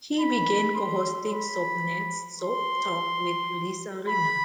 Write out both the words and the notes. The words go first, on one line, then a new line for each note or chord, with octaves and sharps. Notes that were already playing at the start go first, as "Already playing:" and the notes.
He began co-hosting Soapnet's "Soap Talk" with Lisa Rinna.
B5
C6
B5
C6
B5